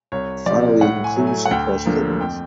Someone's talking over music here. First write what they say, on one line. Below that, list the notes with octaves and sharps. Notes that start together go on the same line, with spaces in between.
Finally, it includes some press clippings.
C2 C#5
C3 F3 D5
A2 F#5
G#5
F#3 A3
G#5
F#5
D2 G5
D3 F3 A#3
F2 G5